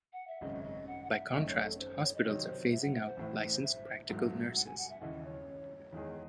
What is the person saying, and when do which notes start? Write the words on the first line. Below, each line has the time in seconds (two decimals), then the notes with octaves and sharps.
By contrast hospitals are phasing out licensed practical nurses.
0.13 F#5
0.27 E5
0.41 G#1 F#2 C#3 G#3 C#4 D#5
0.64 D#5
0.87 F#5
1.04 F#5
1.10 E5
1.33 G#1 F#2 D#3 A3 C#4 D#5
1.48 C#5
1.64 A4
1.79 C5
2.02 C#5
2.14 D#5
2.25 C3 D#3 F#3 C4 D#4 C#5
2.48 C5
2.72 E5
2.82 F#5
2.94 E5
3.06 C5
3.17 A1 A2 E3
3.63 E5
4.09 A1 G#2 F#3 A3
4.55 F#5
4.66 G#5
4.78 F#5
4.89 E5
5.01 D#2 C#3 E3 D#5
5.24 C#5
5.93 E2 D#3 G#3 D#4 G#4